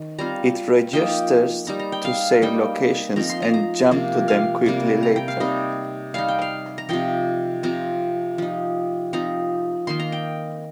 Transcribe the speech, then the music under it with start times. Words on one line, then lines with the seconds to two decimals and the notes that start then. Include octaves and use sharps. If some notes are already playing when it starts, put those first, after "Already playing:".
It registers to save locations and jump to them quickly later.
Already playing: D#3
0.18 G3 C4 F4 A#5
0.93 F3 A#3 D#4 G5
1.67 G3 D#4 A#5
1.79 A#5
1.92 G5
2.05 F5
2.42 G3 A#3 D#4 G5
3.16 F3 C4 D#4 A#5
3.29 C6
3.42 A#5
3.54 A#5
3.91 C3 F3 A#3
4.28 F5
4.66 C3 G3 A#3
5.03 A#5
5.16 G5
5.28 F5
5.40 C3 G3 D#4 D#5
6.14 G3 D#4 F5
6.28 G5
6.42 F5
6.78 A#5
6.89 C3 F3 D#4 G5
7.63 C3 F3 C4 A#5
8.38 F3 D#4
9.13 F3 C4 D#4 A#5
9.87 D#3 A#3 D#4 C6
10.00 A#5
10.12 G5